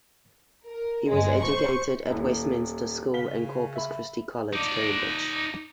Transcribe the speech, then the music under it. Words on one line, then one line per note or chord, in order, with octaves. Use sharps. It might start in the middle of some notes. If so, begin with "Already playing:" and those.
He was educated at Westminster School and Corpus Christi College, Cambridge.
A#4
G1 G#3
C5 C#6
D#1 D#2 E4
C#3 F5 B6 G7
E5 B5
D#4 D5